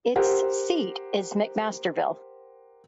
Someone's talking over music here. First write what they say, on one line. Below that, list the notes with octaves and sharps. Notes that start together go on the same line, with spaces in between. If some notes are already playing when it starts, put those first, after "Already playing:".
Its seat is McMasterville.
G4 A#4 C5 F#5